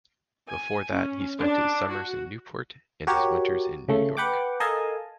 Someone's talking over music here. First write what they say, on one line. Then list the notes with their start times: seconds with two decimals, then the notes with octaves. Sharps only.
Before that he spent his Summers in Newport and his Winters in New York.
0.47 G#5
0.92 C#4
1.40 D4
1.91 F#4
3.07 F#4 G4 A#4 C#5
3.88 C#3 A3
4.17 B4 F#5 G5 D6
4.60 A4 A#4 D#5 F5 G#5 A5